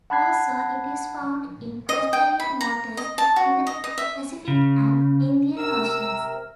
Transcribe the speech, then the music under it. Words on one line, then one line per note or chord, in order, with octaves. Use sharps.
Also, it is found in Australian waters, in the Pacific and Indian Oceans.
F#5 A5 B5 F#6 G#6 C7
D#5
G5
B5
A#5
D#5
A5
F#4
D#5
D#5
E5
C#3
C3 A#4 E6